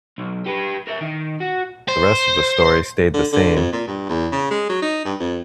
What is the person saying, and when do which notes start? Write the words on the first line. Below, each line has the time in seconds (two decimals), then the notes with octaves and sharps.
The rest of the story stayed the same.
0.18 B1
0.46 G4 B4
0.87 A#4 E5
1.01 D#3
1.40 F#4
1.88 C5
3.14 D3
3.32 D3
3.56 F2
3.73 A#2
3.87 G2
4.09 E2
4.33 C#3
4.51 G#3
4.69 F#3
4.82 D#4
5.05 G2
5.20 F2